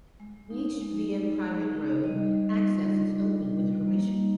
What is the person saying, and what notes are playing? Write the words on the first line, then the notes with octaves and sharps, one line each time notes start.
Reached via private road, access is open with permission.
G#3
D#4
G#3
D#4
G#3
D#4
G3 D#5
G3
F4
D4
G3
G3
A#3
D#4